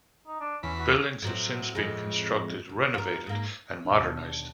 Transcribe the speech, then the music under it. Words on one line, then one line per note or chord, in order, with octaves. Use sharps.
Buildings have since been constructed, renovated, and modernized.
D#4
D4
E2 C#4 B5
F#4
A2 F#3 C4
F2 A2 G#3
D2
F4 A#4
G#2 A#3
D#2 B2 D4